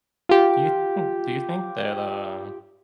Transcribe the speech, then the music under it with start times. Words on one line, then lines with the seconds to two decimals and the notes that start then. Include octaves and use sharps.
Do you think do you think that, uh,
0.29 F4 G4